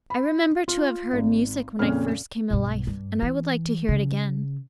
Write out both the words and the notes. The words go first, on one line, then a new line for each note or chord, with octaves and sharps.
I remember to have heard music when I first came to life, and I would like to hear it again.
B5
F4
G#1
F2 A#2 C#3 C#4 F6
B1 G2
G2
E3
C#3